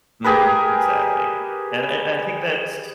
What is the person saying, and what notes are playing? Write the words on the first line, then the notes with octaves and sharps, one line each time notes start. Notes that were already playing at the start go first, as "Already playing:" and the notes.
Mhm, exactly, and and I think that's
G4 G#4 A#4 B4